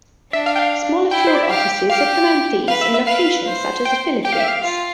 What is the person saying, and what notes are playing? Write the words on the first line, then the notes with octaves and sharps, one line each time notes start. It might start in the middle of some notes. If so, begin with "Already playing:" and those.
Smaller field offices supplement these in locations such as the Philippines.
D4 E5
F5
G5
F5
E4 G5
C5
D5
E5
G4 F5
G4 F5
B4 F5
E5
E5
B4 F5
C5
G5
G4 G5
F5
E5
F5
F4